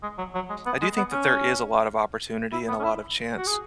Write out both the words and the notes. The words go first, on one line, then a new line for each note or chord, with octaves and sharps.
I do think that there is a lot of opportunity and a lot of chance,
G#3
F#3
F#3
G#3
B3
G#3
B3
C#4
E4
B3
C#4
E4
F#4
G#4